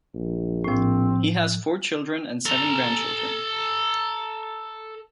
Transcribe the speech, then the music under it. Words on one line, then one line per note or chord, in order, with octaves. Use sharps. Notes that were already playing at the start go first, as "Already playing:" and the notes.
He has four children and seven grandchildren.
A#1
A2 F3 C4
A4 A#5